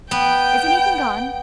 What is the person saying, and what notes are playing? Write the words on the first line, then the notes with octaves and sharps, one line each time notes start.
"Is anything gone?"
B3 G5